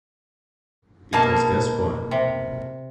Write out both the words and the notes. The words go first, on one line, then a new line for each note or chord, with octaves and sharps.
Because guess what?
B2 A#3 A5
C3